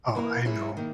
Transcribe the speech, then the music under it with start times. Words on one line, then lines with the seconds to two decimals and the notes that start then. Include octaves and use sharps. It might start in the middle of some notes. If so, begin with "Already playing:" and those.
Oh, I know.
0.15 E3 A#3 E4 A#4
0.45 F#3 C#4 E4 G#4
0.77 D#3 A#3